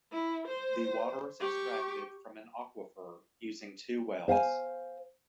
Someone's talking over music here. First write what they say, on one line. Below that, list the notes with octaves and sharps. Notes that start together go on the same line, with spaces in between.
The water is extracted from an aquifer using two wells.
E4
C5
G4 C#6
C5 F5 F#5 G#5